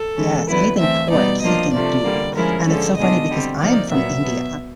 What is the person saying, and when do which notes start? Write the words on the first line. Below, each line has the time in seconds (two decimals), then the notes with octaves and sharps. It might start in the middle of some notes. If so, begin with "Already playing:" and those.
Yes, anything pork he can do, and it's so funny because I'm from India I
Already playing: A4
0.17 E3 G#3 C#4
0.48 D3 F#3 B3 E4 B4
0.79 E3 A3 C4 E5
1.10 B2 G3 B3 D#4 D5
1.42 F3 A#3 D4 F4 D#5
1.73 C3 F3 A3 D5
2.03 D3 G3 A#3
2.35 F3 G#3 C#4 E4 A#4
2.66 D3 F3 G#3 C#4 A4
2.97 B2 G#3 B3 D4 F4 D#5
3.29 D3 G3 C4
3.60 C3 F3 A#3 D#4 D5
3.91 A#2 F#3 B3 E5
4.23 B2 F#3 B3